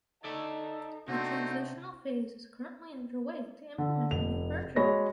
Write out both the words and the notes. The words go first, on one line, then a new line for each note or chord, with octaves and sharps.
A transitional phase is currently underway to implement the new version.
D#4 A4 D5 E5
C3 A3 C4 D4 D#4 F#4
D3
F1 F7
G#3 F#4 C#5 B5 A#6